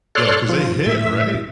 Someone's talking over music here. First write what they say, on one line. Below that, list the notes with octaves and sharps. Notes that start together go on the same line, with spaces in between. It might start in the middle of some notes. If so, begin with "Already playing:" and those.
Yo, 'cause they hit, right?
A4 C#5 D5 C6 F6 F#6
F3 F4
A2 E5